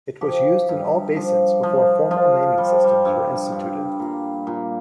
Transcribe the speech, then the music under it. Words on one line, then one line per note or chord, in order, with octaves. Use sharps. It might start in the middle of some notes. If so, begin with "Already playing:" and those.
It was used in all basins before formal naming systems were instituted.
F3 G4
G2
F3
F3
F3 F4
F3 G3
G3
G2
G2
A#2
A#2